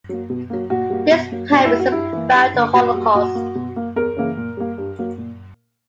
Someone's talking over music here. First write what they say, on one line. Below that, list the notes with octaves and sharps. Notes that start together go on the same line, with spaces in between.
This poem is about the Holocaust.
F#3 A#3
B2
F#3 A#3
A#2 F#4
G3 A#3
B2
F#3 A#3
B2 D4
E4
G3 A#3
F#4
G2 E4
E3 A#3
G2
D3 A#3
A#2 F#4
G3 A#3
A#2 F#4
A#3
B2
A#3
E2 A#4
C#3 E3 A#3
A#2
G3 A#3
G2
F#3 A#3
A#2